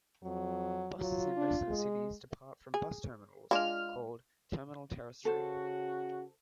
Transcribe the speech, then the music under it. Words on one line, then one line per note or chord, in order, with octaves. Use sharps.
Buses in most of the cities depart from bus terminals called "terminal terrestre".
F2 F#3
F#3 F4
D4
G#3
G#4
G#3 D4 F4 F6
C#3 F#4 A4 C5